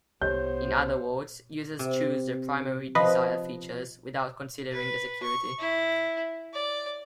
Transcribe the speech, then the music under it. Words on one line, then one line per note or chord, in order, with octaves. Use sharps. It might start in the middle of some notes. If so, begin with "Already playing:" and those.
In other words, users choose their primary desire features without considering the security.
C2 B3 G4 C5 C#5 G6
C3
F3 B4 D#5
B4
C#6
E4
D5